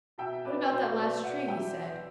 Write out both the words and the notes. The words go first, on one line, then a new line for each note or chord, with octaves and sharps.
"What about that last tree?" he said.
B2 E5 G5
B2 B4 D5
B2 C5
B2 B4 D5
E5
B2 D5 F#5
B2 E5 G5